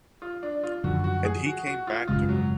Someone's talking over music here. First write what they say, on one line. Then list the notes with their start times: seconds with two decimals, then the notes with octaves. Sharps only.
And he came back to her.
0.22 F4
0.43 D4
0.64 F4
0.84 F#2 D3 F3 F#4
1.04 F#4
1.25 G#4
1.46 F#4
1.67 F#4
1.87 F4
2.08 G#1 F#2 C#3 G#3 F4
2.29 F#3